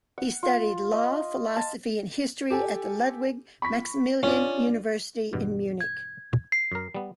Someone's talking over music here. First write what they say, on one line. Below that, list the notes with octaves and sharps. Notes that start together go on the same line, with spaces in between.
He studied law, philosophy and history at the Ludwig-Maximilian University in Munich.
F#5
F4
D#5
A5
G4 A4 G#5
B5 C#6 B6
C#4 D4 F4
E2 G2 B2
G#6
C7
F#2 A#4
G3 B3